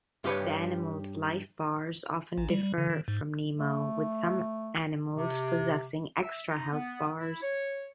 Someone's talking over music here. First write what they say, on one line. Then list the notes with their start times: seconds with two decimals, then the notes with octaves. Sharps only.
The animal's life-bars often differ from Nemo, with some animals possessing extra health bars.
0.24 G2 G4 B4 C#5
2.38 A1
2.50 G3
2.62 G3
2.78 D3
2.90 D#3
3.08 G#2
3.59 A3
5.15 C3
6.22 E5
6.48 D#4
6.72 B3
7.19 E4
7.42 C#5